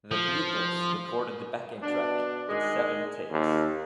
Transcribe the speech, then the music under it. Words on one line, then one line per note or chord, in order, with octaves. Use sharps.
The Beatles recorded the backing track in seven takes.
F3
B2 D4
D#3 G#3
D#2